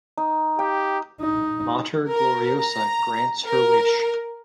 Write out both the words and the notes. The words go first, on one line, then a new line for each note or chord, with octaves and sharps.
"Mater Gloriosa" grants her wish.
D#4
G4 G5
D#4
A#4
A#5
A#4